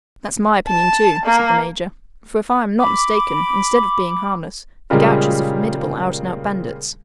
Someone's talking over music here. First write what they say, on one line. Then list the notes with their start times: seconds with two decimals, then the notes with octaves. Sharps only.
"That's my opinion too," said the Major, "for if I am not mistaken, instead of being harmless, the Gauchos are formidable out-and-out bandits."
0.68 A5
1.26 A#3
2.80 B5 D6
4.90 A#2 C#3 G3 G#3 A#3 A#4